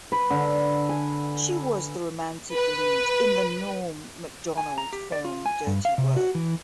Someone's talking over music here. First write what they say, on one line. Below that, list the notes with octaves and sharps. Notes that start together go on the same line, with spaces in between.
She was the romantic lead in the Norm Macdonald film "Dirty Work".
B4
D3
G#5
B4
G#5
A#5
G4
D5
F4
G#5
G2
F5
C3
F#4
E3